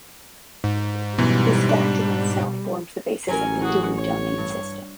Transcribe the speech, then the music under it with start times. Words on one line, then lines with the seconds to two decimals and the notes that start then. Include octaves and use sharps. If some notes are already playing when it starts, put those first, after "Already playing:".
This fact in itself forms the basis of the three-domain system.
0.64 G#2
1.18 F#2 B2 E3 G3
1.69 D4
3.28 A1 F#3 C#4 A#4 G#5
3.62 E3 F#4 G#4
3.94 C#5
4.38 G2